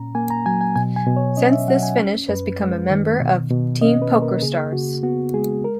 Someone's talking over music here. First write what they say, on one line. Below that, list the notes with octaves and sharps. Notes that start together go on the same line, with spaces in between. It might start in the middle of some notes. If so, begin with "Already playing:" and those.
Since this finish has become a member of Team PokerStars.
Already playing: A#2 C#4 A#5
A#3 G#5
A#5
F#3 G#5
G#5
B2 G#5
G#5
B2
C#5
C#4 D#5
E5
F#3 F#5
G#5
C#4
F#2 B4
G#3
D#3
B2
B2
C#4 D#5
B4
A#3
A#4
C#3 G#4
C#3 F#4
B3 F#4
G#3 G#4
A#4